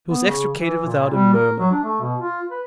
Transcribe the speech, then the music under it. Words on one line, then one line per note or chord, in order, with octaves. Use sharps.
He was extricated without a murmur.
B3
C#3
E3
A#2
G3
A#4
F#3
D4
A3
B2
F4
B4